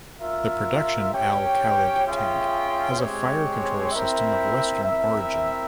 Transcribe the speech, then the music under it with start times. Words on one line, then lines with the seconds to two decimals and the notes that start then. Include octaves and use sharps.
The production Al-Khalid tank has a fire-control system of western origin.
0.21 F4 A#4 E5
1.14 C#4 G4 C#5 G5
2.06 C#4 F4 G#4 E5 G5
2.99 G#3 C4 G4 C#5
3.92 C4 E4 A#4 E5
4.84 C4 E4 A#4 E5